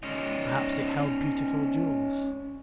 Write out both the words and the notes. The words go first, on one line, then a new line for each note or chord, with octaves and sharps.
Perhaps it held beautiful jewels.
C#4 D#4